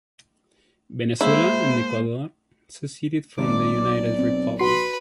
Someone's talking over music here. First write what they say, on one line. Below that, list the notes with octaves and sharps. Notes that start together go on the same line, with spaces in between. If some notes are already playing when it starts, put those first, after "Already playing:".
Venezuela and Ecuador seceded from the united Republic.
G#3 A#3 E4 G#4 C5
G#1 D5 D6
B1
C4
F#4 B4 B5 C6 C7